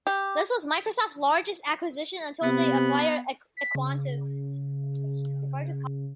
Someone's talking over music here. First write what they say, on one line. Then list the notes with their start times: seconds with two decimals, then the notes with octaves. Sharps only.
This was Microsoft's largest acquisition until they acquired aQuantive.
0.07 G4
2.43 C3 B3
3.57 B6
3.75 C#3